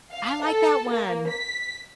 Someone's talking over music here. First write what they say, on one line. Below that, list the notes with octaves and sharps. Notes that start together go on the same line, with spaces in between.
I like that one.
F5
A4
A#3
B6